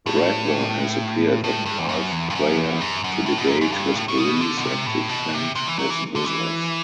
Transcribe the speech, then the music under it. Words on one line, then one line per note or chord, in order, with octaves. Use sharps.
Redner has appeared on Live Prayer to debate his beliefs and defend his business.
A2
A2
G2
E2
F#2
E2
G2
F#2
E2
F#2
F#2
A2
B2
F#2
F#2
G2
A2
A2
B2
D3
B2
C3
A2
B2
C3
C3
E3
F#3
E3
D3
E3